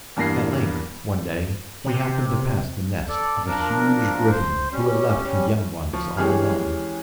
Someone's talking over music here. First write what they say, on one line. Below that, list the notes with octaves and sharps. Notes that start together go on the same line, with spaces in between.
At length, one day, he happened to pass the nest of a huge griffin, who had left her young ones all alone.
E2 G2 A#3 A#6 C7
C3
A4 D5
F3 D4 A#4
C5
G3 C#4
F3 C#6
E3 G#3 C#4 G4 G#4 F6